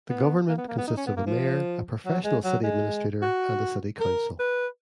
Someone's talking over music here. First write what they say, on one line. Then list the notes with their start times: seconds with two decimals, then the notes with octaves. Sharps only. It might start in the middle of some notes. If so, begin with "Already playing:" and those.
The government consists of a mayor, a professional city administrator, and a city council.
0.09 B3
0.48 A#3
0.58 B3
0.68 A#3
0.78 B3
0.87 D#4
0.97 C#4
1.06 B3
1.17 A#3
1.26 F3
2.05 F#3
2.24 G#3
2.44 F#3
2.63 G#3
3.22 F#4
4.00 A#4
4.39 B4